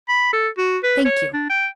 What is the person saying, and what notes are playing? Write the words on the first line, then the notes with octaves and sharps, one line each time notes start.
"Thank you."
B5
A4
F#4
B4
C#5
D4
G5